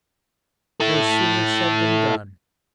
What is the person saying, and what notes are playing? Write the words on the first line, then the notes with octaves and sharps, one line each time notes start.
No sooner said than done.
E4 A4